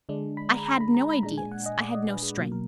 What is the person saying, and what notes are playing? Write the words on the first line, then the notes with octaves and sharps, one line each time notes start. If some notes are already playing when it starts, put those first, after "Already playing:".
I had no ideas; I had no strength.
D3 G#3 D4
B5
A#5
A#5
B5
A#5
B5
A#2 G#3 D4 A#5
G#5
F#5
D#5
D5
D#5
B4
G#4
B2 F#3 A#3 F4
A#4